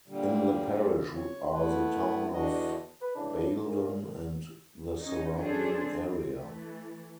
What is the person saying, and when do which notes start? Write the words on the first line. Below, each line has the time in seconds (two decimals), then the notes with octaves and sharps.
In the parish are the town of Baildon and the surrounding area.
0.08 A#2 D3 G3
1.15 C#5
1.53 A3 B3 E4 B4
2.34 E2 D3 E3 D4 F#4 D#5
3.01 B4
3.15 A2 C#3 E3 D4
3.65 F#2 A#2
5.00 C#4 D#4
5.38 C#4 D4 G#4 A4 C5
5.85 C4
6.37 E3 A3